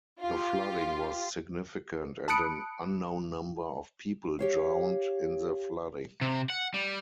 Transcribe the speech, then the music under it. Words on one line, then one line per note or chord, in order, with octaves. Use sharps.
The flooding was significant and an unknown number of people drowned in the flooding.
F4 G4
A5 B5 D#6 F#6 C#7 D7
G4 C#5 F5
C3
F#5
G3